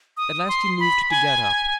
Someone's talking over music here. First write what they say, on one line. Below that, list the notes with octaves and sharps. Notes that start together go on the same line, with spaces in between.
At last he moved to get up.
D#6
C6
B5
G#5